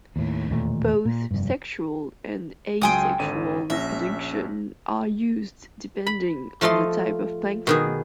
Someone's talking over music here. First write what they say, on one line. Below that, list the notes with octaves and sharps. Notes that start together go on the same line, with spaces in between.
Both sexual and asexual reproduction are used depending on the type of plankton.
D#2 A2
E1 D#2 A#2 A3
A#2
F1 G2
C#2 F#3 G5 G#5 C6 D#6
G#1 D3 D#7
A#1 C#4 E5 A#6
B5
F3 A3 F4 D#5 C6
B2 D#3 G#4